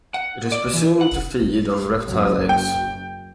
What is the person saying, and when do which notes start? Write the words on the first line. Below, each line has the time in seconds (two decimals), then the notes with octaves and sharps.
It is presumed to feed on reptile eggs.
0.14 F#5
0.52 D5
0.74 E3
1.01 F#5
2.06 F#1 F#2
2.49 G5